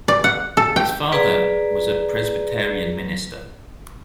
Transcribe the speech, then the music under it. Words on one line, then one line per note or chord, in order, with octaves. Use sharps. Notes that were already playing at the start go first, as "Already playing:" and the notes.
His father was a Presbyterian minister.
D5
F#5
A4
G5
G#4 B4 D5 A#5